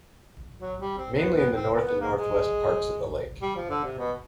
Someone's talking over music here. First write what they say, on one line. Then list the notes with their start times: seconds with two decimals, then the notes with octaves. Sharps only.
Mainly in the north and northwest parts of the lake.
0.61 F#3
0.80 G3
0.98 C4
1.16 B3
1.35 B3
1.55 C4
1.73 B3
1.87 B3
2.01 A#3
2.16 G#3
3.42 G3
3.56 F3
3.70 D3
3.84 C3
3.98 B2